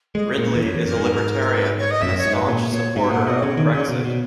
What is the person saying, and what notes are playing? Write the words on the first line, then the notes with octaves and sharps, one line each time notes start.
Ridley is a libertarian, and a staunch supporter of Brexit.
G#3 D#5
A#2 A#4
B4
E2
F#2 C#5
E2
F#2 A#4
G#2
B4
C#5
D#5
F#2 E5
C#5
G#2
B4
A#2
A#2 C#5
G#2 E5
A#2 F#5
B2 D#5
C#3 C#5
D#3
C#3
B2
B2